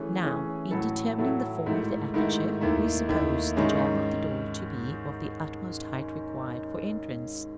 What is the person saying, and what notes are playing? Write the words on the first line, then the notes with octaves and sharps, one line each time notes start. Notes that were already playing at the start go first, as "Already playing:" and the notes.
Now, in determining the form of the aperture, we supposed the jamb of the door to be of the utmost height required for entrance.
Already playing: E3 A3 C#4 G#4
E3 A3 C#4 G#4
A2 F#3 A3 E4 A4
A2 F#3 A3 E4 A4
G#2 D#3 A3 E4
G#2 D#3 A3 E4
D#2 D#3 A3 E4
D#2 D#3 A3 E4
G#2 D#3 G#3 C#4